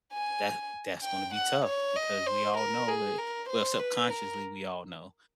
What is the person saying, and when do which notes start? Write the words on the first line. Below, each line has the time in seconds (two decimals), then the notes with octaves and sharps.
that that's gonna be tough because we all know that well, subconsciously we all know
0.12 G#5
1.03 G5
1.34 F#5
1.65 C#5
1.96 D#5
2.26 C5
2.57 A#4
2.88 G#4
3.18 A#4
3.49 C5
3.80 B4
4.10 A#4